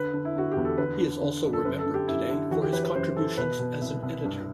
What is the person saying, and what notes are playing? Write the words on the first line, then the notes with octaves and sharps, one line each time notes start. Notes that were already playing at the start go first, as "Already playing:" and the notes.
He is also remembered today for his contributions as an editor.
Already playing: D3 B4
D3
E4
D3 F#4
E2 G4
A4
D3 B4
D3
D3
F#2
A4
F#2 B4
A4
D3
G4
F#2 E4
D3
E3 F#4
G4
E3 B4
B4
F#2 C5
E3 A4
B2 B4
B2
C2
C2
G2